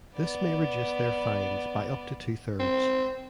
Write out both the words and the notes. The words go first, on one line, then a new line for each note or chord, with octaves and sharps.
This may reduce their fines by up to two thirds.
B3 D5
C4